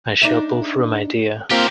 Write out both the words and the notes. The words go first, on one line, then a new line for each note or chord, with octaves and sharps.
I shall pull through, my dear!
D4 D#4 E5
A#3 C4 F4 G4 A#4